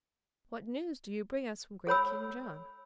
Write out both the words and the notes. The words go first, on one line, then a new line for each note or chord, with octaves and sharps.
"What news do you bring us from great King John?"
A4 C#5 B5 E6